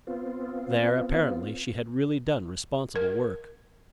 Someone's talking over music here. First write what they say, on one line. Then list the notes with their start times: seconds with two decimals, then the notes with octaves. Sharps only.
There apparently she had really done responsible work.
0.07 B3 C4 F4
2.96 A#4